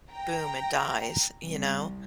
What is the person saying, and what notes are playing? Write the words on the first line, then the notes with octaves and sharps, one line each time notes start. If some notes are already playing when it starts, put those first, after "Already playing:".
boom, it dies, you know,
G5 A#5
C2